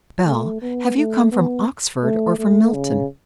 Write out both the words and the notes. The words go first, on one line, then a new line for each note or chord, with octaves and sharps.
Bell--have you come from Oxford or from Milton?'
A3
B3
A3
B3
A3
A3
C#3